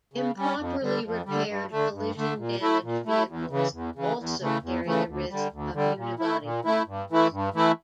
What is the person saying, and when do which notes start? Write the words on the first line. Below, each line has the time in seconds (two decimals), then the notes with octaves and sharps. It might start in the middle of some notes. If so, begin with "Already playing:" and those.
Improperly repaired collision-damage vehicles also carry the risk of unibody problems.
0.13 C#3
0.36 G3 C#4
0.58 F2
0.81 D3 G3
1.04 F2
1.25 D3 G3
1.48 G2
1.71 D3 A3
1.94 G2
2.16 D3 A3
2.38 A#2
2.61 A3 E4
2.83 A#2
3.06 A3 E4
3.28 E2
3.50 C#3 E3
3.72 E2
3.95 C#3 E3
4.17 E2
4.40 C#3 E3 A3
4.62 E2
4.85 C#3 E3 A3
5.07 D2
5.30 D3 G3
5.52 D2
5.74 D3 G3
5.97 A#2
6.19 A3 E4
6.42 A#2
6.65 A3 E4
6.87 G2
7.10 E3 A3 E4
7.31 G2
7.54 E3 A3 E4